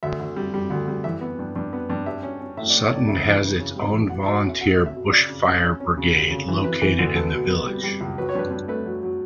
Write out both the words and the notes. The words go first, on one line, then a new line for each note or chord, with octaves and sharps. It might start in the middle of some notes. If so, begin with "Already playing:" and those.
Sutton has its own volunteer Bush Fire Brigade located in the village.
D2 E5
D2
G3
G3
D2
G3
E3 E5
B3
G2
G2
B3
G2
G3 E5
C#4
C#4
A2 E5
A2 D5
C#5
A2 D5
C#3 E5
E3
C#3
C#3
G3
E3
B2 F#5
E5
F#3
F#5
C#4
E5
B2 F#5
B2
E5
B2
C#3 D5
C#3
C#4
C#4
C#4
C#3
D2
C#3
E3
E3 B4
E3
D2
B3 A4
B2
B3
G3
G3
C#2
F#3 B4
C#5
G2 B4
G2
A3 B4
F#3
F#3